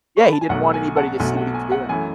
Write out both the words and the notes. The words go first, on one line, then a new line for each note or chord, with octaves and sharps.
Yeah, he didn't want anybody to see what he was doing.
C#6
B5
A5
G#5
B1 B2 F#3 A3 F#5
G#5
F#5 A5
B1 B2 F#3 A3 G#5
F#5
G#5
F#5
F#2 E3 A3 G#5